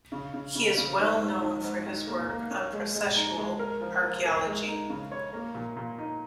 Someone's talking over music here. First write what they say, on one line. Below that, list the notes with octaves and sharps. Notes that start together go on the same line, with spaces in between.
He is well known for his work on processual archaeology.
C#3
C#3
C#3
C#3
G#2
G#2
D#3
G#2
D#3
A#3
A#3
C#4
G#3
G#3
D#4
G#3
A#4
F3
F3
A#4
G#3
D#4
C#3
C#5
A#3
A#2
A#2
D#4